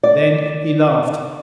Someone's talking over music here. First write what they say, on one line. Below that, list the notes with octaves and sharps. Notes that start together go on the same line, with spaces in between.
Then he laughed.
D5